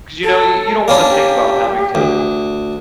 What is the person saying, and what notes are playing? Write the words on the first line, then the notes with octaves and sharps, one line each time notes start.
'Cause, you know, you you don't wanna think about having to
A4
A#3 C#4 D4
G4
D2